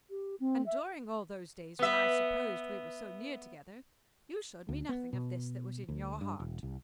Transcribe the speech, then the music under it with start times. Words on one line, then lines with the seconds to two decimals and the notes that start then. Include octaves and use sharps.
"And during all those days when I supposed we were so near together--you showed me nothing of this that was in your heart."
0.10 G4
0.40 C4
0.66 E5
1.79 B3 E5
4.69 D2
4.89 B3
5.13 B2
5.89 D2
6.21 G2
6.40 E1
6.63 C2